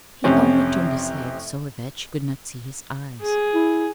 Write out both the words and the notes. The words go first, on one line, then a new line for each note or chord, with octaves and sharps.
He only turned his head so that she could not see his eyes.
A1 F2 C3 C#4
G#4
E4